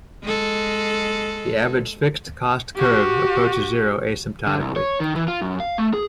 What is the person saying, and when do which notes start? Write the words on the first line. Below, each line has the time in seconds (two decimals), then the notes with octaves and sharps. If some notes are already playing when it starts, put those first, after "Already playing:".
The Average Fixed Cost curve approaches zero asymptotically.
0.23 G#3 A4
2.76 F#4 G4
4.47 D3
4.60 C2
4.76 C#5
5.00 D#3
5.15 E3
5.28 F4
5.42 F#2
5.60 F5
5.78 A3
5.94 G#4